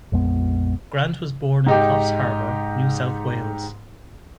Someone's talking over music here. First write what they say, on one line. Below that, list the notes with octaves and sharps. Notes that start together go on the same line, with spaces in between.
Grant was born in Coffs Harbour, New South Wales.
A#1 F2 G#3 B3
G#2 D#4 G4